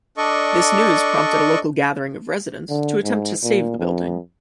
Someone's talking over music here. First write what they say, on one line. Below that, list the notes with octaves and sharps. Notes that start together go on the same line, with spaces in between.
This news prompted a local gathering of residents to attempt to save the building.
D4 A4 D5 D#5 C#6
D3
G#2
A#2
F2